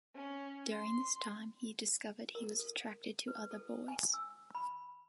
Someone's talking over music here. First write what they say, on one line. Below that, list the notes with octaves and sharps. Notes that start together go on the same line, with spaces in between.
During this time, he discovered he was attracted to other boys.
C#4
C6
A#4
A4
B4
A4
G#5
E6
B5